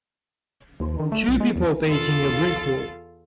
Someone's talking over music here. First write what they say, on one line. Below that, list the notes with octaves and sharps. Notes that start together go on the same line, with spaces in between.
Two people painting a brick wall.
D#2
D#3
A3
B1
G#3
E2
E2 F4 A4 F5 A6